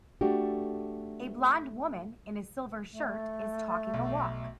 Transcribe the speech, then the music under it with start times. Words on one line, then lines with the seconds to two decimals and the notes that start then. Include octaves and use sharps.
A blond woman in a silver shirt is talking a walk.
0.21 A3 D4 F#4 G4
2.91 A3
3.94 B1